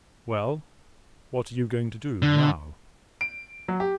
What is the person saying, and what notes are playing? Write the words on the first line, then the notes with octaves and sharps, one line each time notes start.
"Well, what are you going to do now?"
D3
D7
F#3
G4